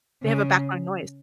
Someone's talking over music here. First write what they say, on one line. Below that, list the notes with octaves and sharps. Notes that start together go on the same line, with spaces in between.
They have a background noise.
C#3